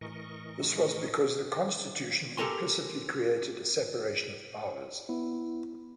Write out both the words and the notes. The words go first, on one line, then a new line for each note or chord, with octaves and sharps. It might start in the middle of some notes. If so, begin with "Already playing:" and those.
This was because the Constitution implicitly created a separation of powers.
A2 E3 A#4 D#5 C#6
G4 A4 A#4 G#5 C6
B3 E4